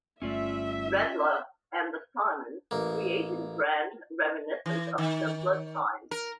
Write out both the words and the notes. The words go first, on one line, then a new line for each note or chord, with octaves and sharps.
Redler and the Simons created a brand reminiscent of simpler times.
G1 G2 A3 C#4 F4 D5 E5
A1 A#3
E3
D#3
A#4